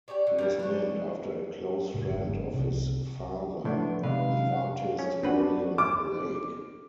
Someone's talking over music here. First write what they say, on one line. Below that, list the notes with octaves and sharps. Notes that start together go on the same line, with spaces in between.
He was named after a close friend of his father, the artist William Blake.
G4 A4 C#5 D5
D3
G3 A#3 E4
D4 C#5
F2 A2 C#3
G1 G#2 C#4
C2 C3
A2 F3 A3 B3 D4
C3 D#3 G#3 B4 F5
F#5
F3 C#4
C4 D4 F#4 B4 F#5
D6